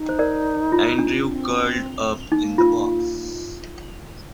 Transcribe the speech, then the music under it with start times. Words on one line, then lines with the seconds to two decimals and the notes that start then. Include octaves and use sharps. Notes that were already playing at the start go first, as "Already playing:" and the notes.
Andrew curled up in the box.
Already playing: D#4
0.09 C5
0.19 A#4 D5
0.72 F4
0.99 D4
1.25 C4
2.32 A#3 D#4
2.58 F4